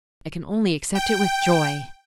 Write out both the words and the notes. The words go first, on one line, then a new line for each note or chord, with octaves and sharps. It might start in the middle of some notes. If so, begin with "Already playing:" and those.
I can only accept it with joy.'
G5